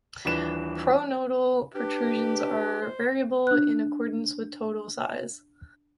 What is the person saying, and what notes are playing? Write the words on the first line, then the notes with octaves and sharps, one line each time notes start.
Pronotal protrusions are variable in accordance with total size.
D#1 E3 D4 B4 E7
D4 G4 B4
C5
D4 F#6